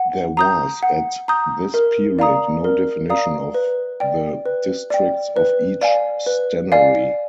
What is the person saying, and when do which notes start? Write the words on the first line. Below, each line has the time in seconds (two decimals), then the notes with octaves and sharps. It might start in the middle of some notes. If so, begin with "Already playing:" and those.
There was at this period no definition of the districts of each stannary.
Already playing: F#5
0.37 A#5 D#6 G6
0.83 F#5
1.28 A#5 D#6 G6
1.74 A#4
2.19 D5 F5 A#5 D#6
2.64 A#4
3.10 D5 F5 A#5 D#6
3.54 B4
4.00 D5 G5
4.46 B4
4.90 D5 G5
5.36 B4
5.81 D5 F5 G#5
6.26 B4
6.72 D5 F5 G#5